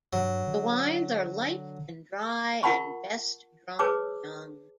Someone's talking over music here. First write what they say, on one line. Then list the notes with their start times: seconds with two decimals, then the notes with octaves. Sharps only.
The wines are light and dry and best drunk young.
0.13 G2 F#3
0.47 D3
2.63 F4 A#4 F#5 A5 B5 C#6
3.79 G#4 B4 C#5 A5 D6 E6